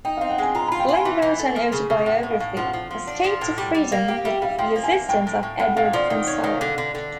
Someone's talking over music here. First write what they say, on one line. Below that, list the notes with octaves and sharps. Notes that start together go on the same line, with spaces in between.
Lynn wrote an autobiography, "Escape to Freedom", with the assistance of Edward Ansara.
D#4 G5
C4 F5
F#5
G#3 G#5
F4 A#5
F4 B5
G5
F4 G#5
E3
E3
A3
F3
C#3
C#3
A2 F#5
A2
F5
A2
F3 F#5
F3
F3
D4
F3
A2
G3
G3
A#3
G4 F5
G3 E5
G3 F5
F3 G5
A#3
G#5
A#3
A2 G5
A2
A2
A2 F#5
A2 F5
F3 D5
D#3
C#4
D#3
D3
D3
D3